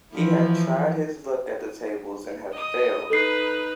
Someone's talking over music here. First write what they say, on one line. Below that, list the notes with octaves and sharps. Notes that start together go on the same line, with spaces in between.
He had tried his luck at the tables and had failed.
E3 F3 E4
D#5 D#6
D#4 A4 B4 C7